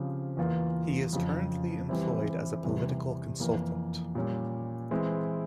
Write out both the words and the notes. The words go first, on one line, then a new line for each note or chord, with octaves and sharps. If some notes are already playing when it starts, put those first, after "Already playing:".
He is currently employed as a political consultant.
Already playing: C#3 F3 C4 G4
E2 E3 A#3 F4
F2 C#3 F3
E3 G3 C4 E4
E2 C3 E3 G3
F2 E3 A#3
A#2 G3 C#4
E3 G#3 C4 E4